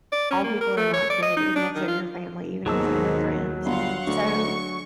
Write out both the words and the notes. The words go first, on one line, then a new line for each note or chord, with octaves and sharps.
all people are not good, even if they're your family, even if they're your friends, so,
D5
C#4
A#3
A#4
A3
C#5
D5
D#5
D#4
D4
D#3
F4
D#2 G#2 B2 D#3 F#3 A5 E6
G1 F5 F#5 C6
D2 C#6